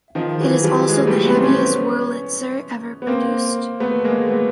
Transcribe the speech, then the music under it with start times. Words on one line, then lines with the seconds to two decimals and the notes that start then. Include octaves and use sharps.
It is also the heaviest Wurlitzer ever produced.
0.15 D#3 F3
0.40 E3 F#3
0.64 F3 G3
0.88 F#3 G#3
1.07 G3 A3
1.25 A3 B3
1.34 C4
1.43 B3 C#4
3.02 B3
3.07 A#3 C4
3.80 A3 B3
4.04 G#3 A#3
4.29 A3 B3